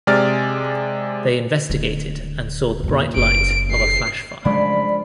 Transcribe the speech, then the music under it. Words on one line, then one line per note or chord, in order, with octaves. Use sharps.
They investigated and saw the bright light of a flash fire.
C3 G#3 D5 F6 A6
D1 D3
F2 A#2
F#1 D7
C7
C#3 F3 F#3 G#3 A3 D4 D5 B5